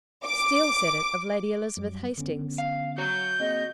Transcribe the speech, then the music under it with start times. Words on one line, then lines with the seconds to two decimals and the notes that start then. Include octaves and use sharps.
'Steele said it of Lady Elizabeth Hastings.'
0.25 D6
1.77 F#2 F#3 G3
2.18 D3 B3 C#4
2.58 F5
2.98 F#4 C#5 G6
3.40 A#3 C4 G#4 D#5